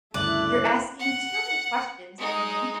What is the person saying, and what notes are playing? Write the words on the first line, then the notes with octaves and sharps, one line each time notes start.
You're asking too many questions for me.
D2 G2 C#3 A3 E4 D5 F#6
F#5
G#3 D#4